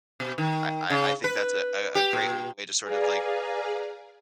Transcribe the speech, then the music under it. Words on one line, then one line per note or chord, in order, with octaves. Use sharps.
I I I think that's a, a great way to sort of like
B2
D#3
C#3
B4
G4
A#2
G#4 B4 D5 F5 G#5 A#5